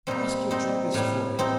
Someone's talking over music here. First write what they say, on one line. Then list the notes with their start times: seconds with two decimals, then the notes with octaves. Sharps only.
Ask your druggist for it.
0.07 A#2 G3 C4 D#4
0.51 C4 D#4
0.94 A2 G3
1.39 C4 D#4